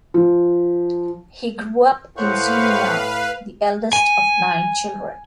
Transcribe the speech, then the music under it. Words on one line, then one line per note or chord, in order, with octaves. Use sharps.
He grew up in Xenia, the eldest of nine children.
F3
A2 B4 C5 F5 F#5 C#6
G#5